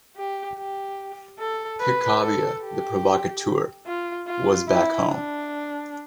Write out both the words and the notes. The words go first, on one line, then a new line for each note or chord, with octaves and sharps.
Picabia, the provocateur, was back home.
G4
G4
A4
B4
A4
G4
F4
F4
E4
D4